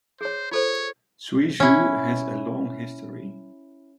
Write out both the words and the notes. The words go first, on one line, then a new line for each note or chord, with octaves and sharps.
Suizhou has a long history.
G#4 C5 C#5
F4 A4 C5 C#5
C#4 E4